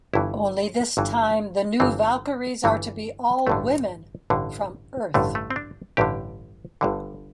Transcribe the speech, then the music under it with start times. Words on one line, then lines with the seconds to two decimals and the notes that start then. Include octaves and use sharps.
Only this time the new Valkyries are to be all women from Earth.
0.14 G1 G2 E3 E4
0.97 G1 G2 E3
1.80 G1 G2 E3 C4
2.64 G1 G2 E3
3.47 A1 G2 D3 A3
4.30 A1 G2 D3
5.14 A1 G2 D3 A3
5.35 A3
5.50 C4
5.56 D4
5.97 A1 G2 D3 G4
6.81 G1 G2 D3